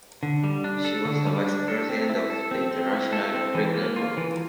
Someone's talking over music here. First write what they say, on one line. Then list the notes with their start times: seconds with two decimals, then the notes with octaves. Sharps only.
She was a Vice-President of the International Criminal Court.
0.23 D3
0.44 G3
0.64 D4
0.85 A4
1.05 D3
1.26 G3
1.46 D4
1.68 A4
1.89 C4
2.09 E4
2.30 A4
2.51 C4
2.71 C4
2.93 E4
3.13 A4
3.34 C4
3.54 E3
3.75 A#3
3.96 F4
4.17 E3